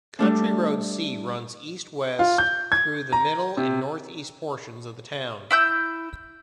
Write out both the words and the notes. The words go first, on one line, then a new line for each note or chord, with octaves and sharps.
County Road C runs east-west through the middle and northeast portions of the town.
G3 A3 D4
F4
G6
G#6
A#5
C3
E4 E6 G6